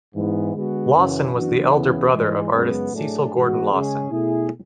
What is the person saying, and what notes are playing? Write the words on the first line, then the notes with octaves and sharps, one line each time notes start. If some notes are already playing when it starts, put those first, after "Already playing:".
Lawson was the elder brother of artist Cecil Gordon Lawson.
G#2 E3 B3
D3 G#3 B3 F#4
F#2 C#3 E3
F#2 E3 B3 D4 F#4
E2 C#3 E3 B3
G#2 E3 G#3
F#2 C#3 G#3 B3
A2 F#3 A3 D4 G#4
G#2 E3 G#3 B3 F#4
C#3 G#3 C#4 G#4
B2 A3 E4 G#4